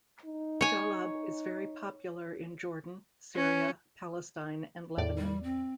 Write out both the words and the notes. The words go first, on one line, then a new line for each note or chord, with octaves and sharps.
Jallab is very popular in Jordan, Syria, Palestine and Lebanon.
D#4
C#5 G#5
C#4
E2 A2 D5
G3
C4